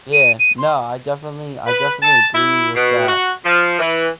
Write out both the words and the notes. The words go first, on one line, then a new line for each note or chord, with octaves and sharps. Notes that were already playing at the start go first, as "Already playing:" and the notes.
Yeah, no, I definitely, I definitely agree with that.
D#7
D#7
C6
B4
A5
E4
B2
F#4
F3
E3